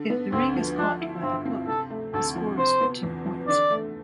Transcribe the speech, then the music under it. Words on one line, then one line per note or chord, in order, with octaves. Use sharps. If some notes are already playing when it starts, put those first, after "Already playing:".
If the ring is caught by the hook, the score is two points.
Already playing: D3
B3
D2 C4
F3
F3 D4
E4
G2 C4
C4
C3 A4
A3
D2 A4
F3
C3 C5
B3
E2
F3
D3 D5
A3